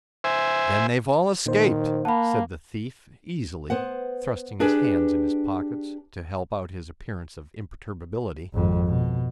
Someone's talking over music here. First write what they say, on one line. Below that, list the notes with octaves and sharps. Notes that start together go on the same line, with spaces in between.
"Then they've all escaped," said the thief, easily, thrusting his hands in his pockets to help out his appearance of imperturbability.
C5 E5 G#5
A#2 D#3 C5
A#3 F#5 A5 B5
B3 C5 F#5
D4 G4 G#4 B4
G#1 F2
B2